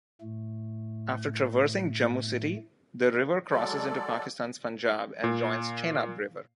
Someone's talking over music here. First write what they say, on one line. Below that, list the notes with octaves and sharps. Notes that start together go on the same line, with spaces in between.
After traversing Jammu city, the river crosses into Pakistan's Punjab and joins Chenab river.
A2 A3
F#3 G#3 A4 D5
A#2